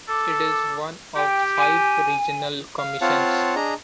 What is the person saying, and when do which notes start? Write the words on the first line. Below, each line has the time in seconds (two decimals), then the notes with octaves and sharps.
It is one of five regional commissions.
0.08 A4 D6
1.16 G4 G5
1.57 G#5
2.78 F5
3.01 C4 F4 C#5 F5 F#5 A5
3.56 D4 G#4 D#5 A#5